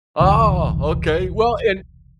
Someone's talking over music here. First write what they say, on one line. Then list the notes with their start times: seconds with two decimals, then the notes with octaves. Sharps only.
Oh, okay, well and
0.20 E1 C2 D3 E3